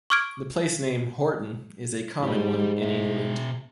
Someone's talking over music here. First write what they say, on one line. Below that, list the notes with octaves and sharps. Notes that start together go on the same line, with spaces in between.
The place-name "Horton" is a common one in England.
C#6 D6 F6 G#6 D7
G#2 G4 D5
B2 E5